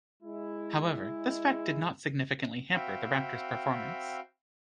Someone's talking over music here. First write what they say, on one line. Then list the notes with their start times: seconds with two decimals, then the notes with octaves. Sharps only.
However, this fact did not significantly hamper the Raptor's performance.
0.23 G#3 E4
2.73 C4 F#4 E5 F5 G5 B5